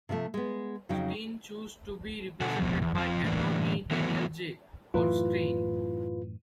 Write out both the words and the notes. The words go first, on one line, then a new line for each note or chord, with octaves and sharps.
Steyn chose to be represented by attorney Daniel J. Kornstein.
C3 F3 F#3 A3
G#3 B3
F2 C#3 F#3 C#4 D#4 G5
B2 D3 A4 F#5 G#5
F2 B2
E2
F2 F3
A2 D3 E3 A#3 D4
E3 F#3 A3 B3
F#2 A2 E3 F4 B4